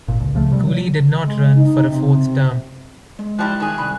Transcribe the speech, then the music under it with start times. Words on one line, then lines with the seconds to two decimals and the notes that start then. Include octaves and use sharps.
Cooley did not run for a fourth term.
0.08 G#1 A#2
0.21 C#2
0.35 C#3 F3 A3
0.51 C3 G3
0.67 F#3
1.25 G#3
1.57 D#4
1.89 C3
3.19 G#3
3.39 F3 G3 E4 F#6
3.60 D#3 G#4
3.78 C2 B5